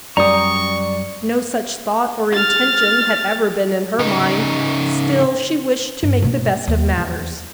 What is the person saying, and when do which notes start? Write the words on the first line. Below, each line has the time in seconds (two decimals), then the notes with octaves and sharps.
No such thought or intention had ever been in her mind, still she wished to make the best of matters.
0.17 F#2 G3 D5 A#5 C#6 D#6
2.33 F6 A6
3.99 C#3 D#4
6.03 G2
6.22 B2 A#3
6.67 D#2
6.98 E2